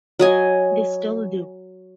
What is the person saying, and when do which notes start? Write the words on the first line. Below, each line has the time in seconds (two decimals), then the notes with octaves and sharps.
They still do.
0.19 F#3 D#5 G#5